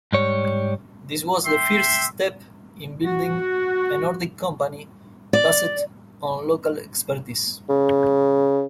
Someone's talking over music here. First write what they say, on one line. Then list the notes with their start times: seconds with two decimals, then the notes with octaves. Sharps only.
This was the first step in building a Nordic company based on local expertise.
0.13 G#2 G3 C#5
1.45 E5 G5 C6
3.05 F#4
5.33 D5
7.69 C#3